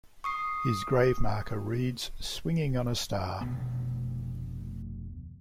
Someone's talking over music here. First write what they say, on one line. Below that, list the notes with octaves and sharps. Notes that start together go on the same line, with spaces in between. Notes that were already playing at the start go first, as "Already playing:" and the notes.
His grave marker reads Swinging On A Star.
C#6 D#6 C7
F1 D2 B2 B3